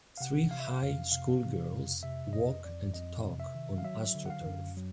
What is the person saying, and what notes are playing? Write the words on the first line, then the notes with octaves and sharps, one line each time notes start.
Three high schoolgirls walk and talk on AstroTurf.
F5
C3 F#5
C3 F5
E5
F5
F2 F5
C3 F5
C3
F2
C3 E5
F2 D#5
F2 D5
F2 D#5
C3
E5
D#3
F5
F#3 E5
D3
F#5
F5
F#2
F#3